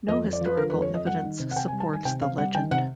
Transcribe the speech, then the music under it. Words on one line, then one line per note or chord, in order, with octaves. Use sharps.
No historical evidence supports the legend.
F2 D#5
F2
D5
F3
B4
D3 A#4
B4
F2
C#5
F2 D#5
G3 F#5
D#3
C3
F#5
C3 G5
G#5
G3
A5
D#3 G#5
C3 G5
C3 F5
G3 F#5
D#3 G5
C3 F#5